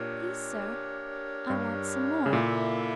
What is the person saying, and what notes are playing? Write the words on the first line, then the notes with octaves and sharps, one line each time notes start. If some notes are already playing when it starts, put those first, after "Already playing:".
'Please, sir, I want some more.'
Already playing: A#2 D4 G4 A#4 C#5
G2
C#3
A#2 A#3 E4 A4 E5